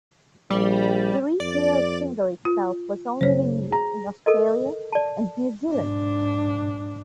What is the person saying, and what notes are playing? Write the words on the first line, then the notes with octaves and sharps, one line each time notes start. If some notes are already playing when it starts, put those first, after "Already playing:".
The retail single itself was only released in Australia and New Zealand.
A#1 G3
F2 D5
F4
F#1 C5 C#5
G#4 A#5
A4 A#4 D#5
D5 A5
G#2 D4